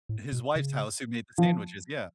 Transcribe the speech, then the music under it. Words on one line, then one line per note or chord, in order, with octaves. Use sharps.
His wife's house who made the sandwiches, yeah.
A2
B2
C#3
F3